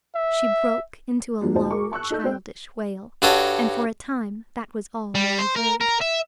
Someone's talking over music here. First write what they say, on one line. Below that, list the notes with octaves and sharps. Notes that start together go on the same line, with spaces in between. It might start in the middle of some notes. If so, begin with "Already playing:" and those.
She broke into a low, childish wail, and for a time that was all Mary heard.
E5
F3 F#3 A#3 D4
D2 A#2 D#4 C5 A5
G#4 A#4 C#6 D6
A5 C#6 E6 F#6
D#4 A4 G6
C4 C5 G5
G2 F#4 A4 C#5 D#5
G3
C5
A#4
A#4
E5